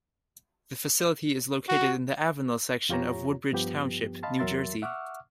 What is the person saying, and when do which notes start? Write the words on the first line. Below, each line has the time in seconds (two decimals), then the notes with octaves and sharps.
The facility is located in the Avenel section of Woodbridge Township, New Jersey.
1.69 F#4
2.89 F2 F4 G4 C#5 A#5
3.52 G2 F3 B3 G4
4.23 D#5 F5 A5 B5 C6
4.39 E2 F#3 A#4 E5 C6 A6
4.82 E5 F#5 C#6 D6 E6 F6